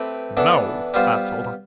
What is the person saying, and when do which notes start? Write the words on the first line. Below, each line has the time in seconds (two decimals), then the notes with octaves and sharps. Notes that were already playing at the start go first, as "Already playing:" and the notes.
No,' I told him.
Already playing: A3 C4 G4 B4
0.37 E3 B3 D4 A4
0.94 G3 B3 F4 C5